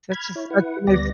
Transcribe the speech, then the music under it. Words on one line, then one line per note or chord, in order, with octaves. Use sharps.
Such a such a nice
B5 F6 G#6
E4 C#5
E4 B4 F#5
D2 G3 B3 D5 A#6